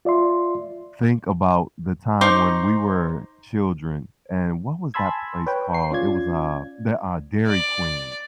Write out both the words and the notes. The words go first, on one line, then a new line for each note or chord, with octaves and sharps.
think about the time when we were children, and, what was that place called? It was, uh, the uh, Dairy Queen.
F4 D5 E5 C6
D#4 C5 C#6 D6
G#5 A5 B5 C6 E6 G#6
B4 C#5 G5
C#6 C7
C#4 F4 D5 G#6
D5